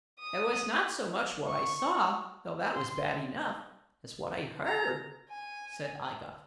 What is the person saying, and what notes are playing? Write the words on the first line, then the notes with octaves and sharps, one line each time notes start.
"It was not so much what I saw, though that was bad enough, as what I heard," said I-Gos.
D#6
C#6
C6
A#5
G#5